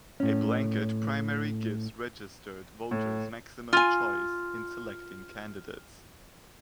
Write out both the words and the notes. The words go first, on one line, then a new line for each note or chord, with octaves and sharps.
A blanket primary gives registered voters maximum choice in selecting candidates.
A2 C#4
A2
F4 G#5 F6